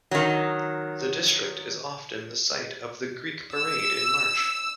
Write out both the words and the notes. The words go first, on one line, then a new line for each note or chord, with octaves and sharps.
The district is often the site of the Greek parade in March.
D#3 F#3
E6